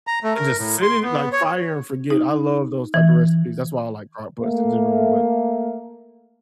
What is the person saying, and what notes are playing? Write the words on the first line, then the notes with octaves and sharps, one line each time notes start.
and, just, sit it like, fire and forget. I love those type of recipes. That's why I like crock pots in general, but
A#5
A3
A#4
A2
C6
B3
C#5
D#4
E3
A3 A#3